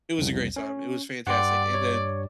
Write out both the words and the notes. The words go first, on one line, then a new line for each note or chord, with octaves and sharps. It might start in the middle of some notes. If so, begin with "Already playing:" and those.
It was a great time. It was fantastic, and then
C2 F2
C#4
G2 D5 F#5 G5 C6
C#5